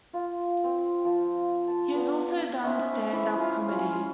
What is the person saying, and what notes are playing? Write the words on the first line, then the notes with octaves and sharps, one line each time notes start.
He has also done stand-up comedy.
F4
C4
F3
A5
B3
C#4 D#4 C5 E5
E3 E4 E5
F4
C#4 F4